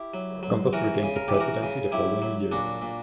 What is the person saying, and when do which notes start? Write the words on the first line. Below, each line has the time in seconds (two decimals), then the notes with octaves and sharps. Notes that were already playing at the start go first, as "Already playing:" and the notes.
Gompers regained the presidency the following year.
Already playing: E4 G4
0.14 F#3
0.43 F#3
0.73 E3 F#4 A#4
1.03 C#3
1.16 A#4
1.28 E3 G4
1.40 F#4 A#4
1.63 C#3
1.92 F#3 E4 G4
2.22 F#3
2.52 A#2 D4 F#4
2.82 A#2